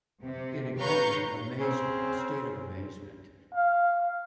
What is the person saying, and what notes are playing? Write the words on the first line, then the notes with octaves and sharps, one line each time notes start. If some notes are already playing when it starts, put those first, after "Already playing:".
in a kind of a amazement, a state of amazement,
C3
B4 C#5 F5 A#5 C#6 G6
C#3 C4
F5